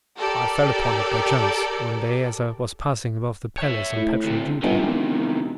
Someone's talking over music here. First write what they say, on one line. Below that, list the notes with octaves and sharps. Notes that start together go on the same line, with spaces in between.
I fell upon it by chance one day as I was passing above the palace on patrol duty.
G4 A4 A#4 D5
C#5 E5
A2
D2 C3
G1 C3 D#3
E1